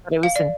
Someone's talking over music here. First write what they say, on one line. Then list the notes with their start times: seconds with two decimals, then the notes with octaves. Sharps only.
But it was in
0.23 F5
0.36 D5